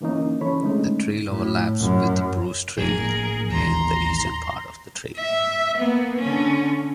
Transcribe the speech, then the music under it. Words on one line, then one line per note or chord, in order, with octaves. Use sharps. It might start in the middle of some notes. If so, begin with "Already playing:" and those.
The trail overlaps with the Bruce Trail in the eastern part of the trail.
D3 E3 A#3 C#4 D#4
E3 C#4 A4 C#5 B5
D3 G#3 A3 C4 C#4 D#4
A2
F#2
A2 F3 A#3 G#4 A#4
A1 D#2 E3 A#5 C6
E5
A#3 B3
D3 C#4